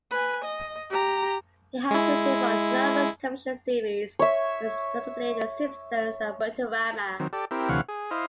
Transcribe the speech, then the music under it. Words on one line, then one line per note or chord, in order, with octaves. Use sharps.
He has written for numerous television series, most notably "The Simpsons" and "Futurama".
B4 G#5
D#5
G4 A#5
G#3 E4
C#5 E5
D#3 F#3 C4
G4 A4 D5
C4 E4 G4 A#4
D2 C3 E3 C#5 F5 F#5
G#4
E4 C5 D#5 F5